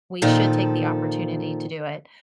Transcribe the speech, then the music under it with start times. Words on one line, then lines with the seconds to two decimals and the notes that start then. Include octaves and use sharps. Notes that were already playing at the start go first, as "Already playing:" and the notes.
we should take the opportunity to do it,
0.22 A#2 D#3 F3 A4